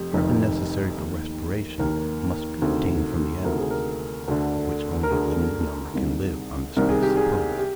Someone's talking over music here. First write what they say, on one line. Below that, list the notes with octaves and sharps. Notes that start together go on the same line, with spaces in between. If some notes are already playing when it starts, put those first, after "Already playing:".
The carbon necessary for respiration must be obtained from the animals, of which only a limited number can live on the space supposed.
Already playing: F1 F2 G4
F1 F2 D#3
D#2 D#3
D#2 D#3 A#4
D2 C3 D#3
D2 C3 D#3 A#4
G#4
A#4
D2 D3
A#4
D2 D3 G#4
C2 C3 D#3
C2 C3 D#3 A#4
G#4
G4
G#4
G4